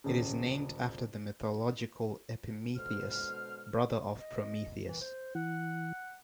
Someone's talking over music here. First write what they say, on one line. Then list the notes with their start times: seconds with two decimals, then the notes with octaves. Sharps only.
It is named after the mythological Epimetheus, brother of Prometheus.
0.04 D#1 C#3
2.77 B2 D3 G#3 C5 F6
4.18 D#5
4.88 E3
5.01 C5
5.35 E3 F#5